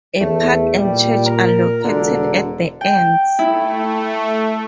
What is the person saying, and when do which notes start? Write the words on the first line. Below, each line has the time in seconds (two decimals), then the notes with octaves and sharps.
A park and church are located at the ends.
0.20 E2 A3
0.77 A#2 G3
1.26 A#4
1.84 E1 D3
2.81 G5
3.39 A3 E4